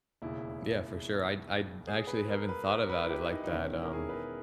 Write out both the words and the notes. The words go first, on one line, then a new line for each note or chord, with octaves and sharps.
Yeah, for sure. I I actually haven't thought about it like that, um,
E1 D#2 C#3 E4
G#4
B4
A#4
B4
A#4
B4
A#4
B4
E4
G4
D#4
D#4
E1 E2 D#3 C#4
E4
A#4
G#4
B4
A#4